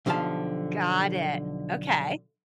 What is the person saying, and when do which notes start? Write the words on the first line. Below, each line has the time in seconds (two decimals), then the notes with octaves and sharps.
Got it, okay.
0.06 B1 D3 F3 G4 F5 A5